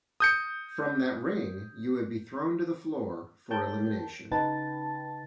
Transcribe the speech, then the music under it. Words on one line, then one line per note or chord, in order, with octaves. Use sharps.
From that ring you would be thrown to the floor for elimination.
D#6 G6 C#7
A#4 C#5 G5 A5 G6
C#3 D#4 B4 G5 A5 A6